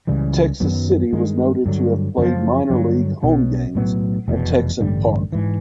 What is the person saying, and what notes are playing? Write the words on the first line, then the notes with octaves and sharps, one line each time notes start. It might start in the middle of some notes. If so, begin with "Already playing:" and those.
Texas City was noted to have played minor league home games at Texan Park.
C#2 C#3 E3 G3
F#2 D#3 F#3 B3
G2 D#3 G#3
G2 D3 F#3
F#2 C#3 F3
G2 D3 F#3
B1 B2 F#3
B1 A2 F#3 B3
F1 E2 B2
A1 G2 D3 G3
G#2 E3